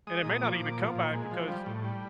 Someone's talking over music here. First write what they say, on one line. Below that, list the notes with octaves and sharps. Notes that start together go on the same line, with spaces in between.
And it may not even come back because
G#3 D#6
A#2
F3 D6
A#2
F3
A#2
G#3
F3
G3
A2
G3